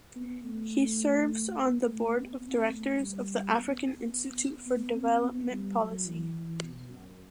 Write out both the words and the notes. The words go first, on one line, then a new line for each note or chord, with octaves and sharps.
He serves on the Board of Directors of the African Institute for Development Policy.
B3
A3
A3
B3
C4
A3
G3
B3
B3
B3
C4
B3
G3
F#3
E3
E3
B2
F#2